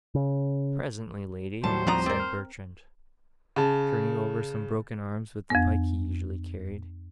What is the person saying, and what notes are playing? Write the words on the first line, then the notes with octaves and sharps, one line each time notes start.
'Presently, lady,' said Bertrand, turning over some broken arms with the pike he usually carried.
C#3
D#2 A2 F#3 G3 C5 A5
F3 C4 F#4 D5 A#5 D#6
C4 A#4 D5
F6
C#3 A5
F2 B3